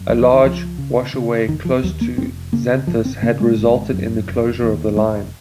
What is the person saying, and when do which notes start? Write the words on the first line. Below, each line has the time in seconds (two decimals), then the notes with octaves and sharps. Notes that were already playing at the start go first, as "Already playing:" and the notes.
A large washaway close to Zanthus had resulted in the closure of the line.
Already playing: F#2
0.09 C#2 F#3
0.21 F3
0.33 D#3
0.43 C#2 F3
0.78 C#3
1.14 C#3
1.48 F1 D#3
1.65 F3
1.83 D#2 F#3
2.01 A#3
2.18 F1 C4
2.53 C#3 A#3
2.87 G#1 F3
3.05 C4
3.22 C#3 A#3
3.40 G#3
3.57 G#1
3.93 F#2
4.27 F1
4.63 D#2
4.97 F1 G#3